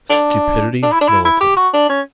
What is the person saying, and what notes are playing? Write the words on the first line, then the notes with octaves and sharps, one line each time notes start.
Stupidity militant.
D4
D4
E4
D4
E4
E4
G4
F#4
D4
C#4